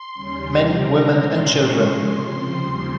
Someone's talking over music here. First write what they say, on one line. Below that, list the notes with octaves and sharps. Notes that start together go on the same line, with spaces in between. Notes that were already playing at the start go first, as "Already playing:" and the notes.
Men, women and children.
Already playing: C6
D#2 C#3 G3 C#4
C3 G3 C4 A#5
C3 D#3 G#3 C#4
A#2 G#3 C#4 C6
C#3 G#3 C#4 C#6
C3 F3 G#3 C6
C#3 F3 C4
D#2 C#3 G3 C6